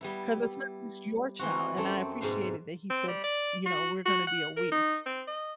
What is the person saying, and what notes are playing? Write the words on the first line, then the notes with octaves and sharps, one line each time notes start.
'cause it's not just your child, and I appreciated that he said, you know, "We're gonna be a we,"
G3 B3 E4
E3 C4 F#4
F#2 A3 C4 D5
G#2 B2 C5 F5
C4
G3
D5
F#4
F#4
F#5
A#4
D#4
C4
D#5